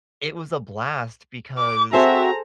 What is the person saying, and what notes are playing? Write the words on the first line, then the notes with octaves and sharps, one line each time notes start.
it was a blast because
D6
C4 F#4 G#4 A4 C5 E5 A#5